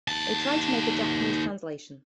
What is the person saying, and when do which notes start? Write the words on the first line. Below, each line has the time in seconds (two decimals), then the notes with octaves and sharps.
They tried to make a Japanese translation.
0.08 D#2 A5